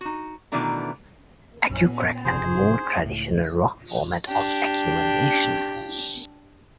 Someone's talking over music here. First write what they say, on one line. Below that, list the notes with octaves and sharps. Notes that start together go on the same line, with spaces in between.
Acucrack, and the more traditional rock format of Acumen Nation.
D#4 F#4
B2 D#3 E3 A3 D4 A#5
A#1 F#2
A#2 B3
F#1 C3 F3 G#4 C5
C#2 A2
D4 G4